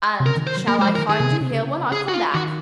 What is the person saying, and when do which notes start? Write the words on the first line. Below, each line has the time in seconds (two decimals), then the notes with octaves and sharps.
"And shall I find you here when I come back?"
0.20 C3
0.26 C#3 A#4
0.37 D#3
0.47 C5
0.57 F#3
0.67 A#3 A#4
0.79 G#3
0.82 C5
0.85 F#3
0.89 F3
0.95 A#4
0.98 D#3
1.09 D#3 G#4
1.20 C3
1.31 C#3
1.41 C3
1.51 C#3
1.92 G#4
2.08 F#4
2.14 F4
2.34 D#3 F#4